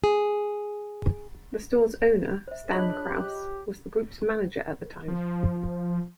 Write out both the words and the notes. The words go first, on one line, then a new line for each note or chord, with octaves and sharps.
The store's owner, Stan Krause, was the group's manager at the time.
G#4
C5 E5
D4 F4 G#4 C#5 D#5 B5 F#6
G4
F3